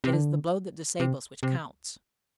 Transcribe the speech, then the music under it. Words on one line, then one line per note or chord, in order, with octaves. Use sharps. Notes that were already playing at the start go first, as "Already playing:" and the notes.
It is the blow that disables which counts.
C3
D3
C3
C3